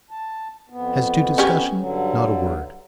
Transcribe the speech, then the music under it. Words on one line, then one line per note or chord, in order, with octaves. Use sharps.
As to discussion--not a word.
A5
F2 B3
C#4 G4 G#4
G2 D3 F#3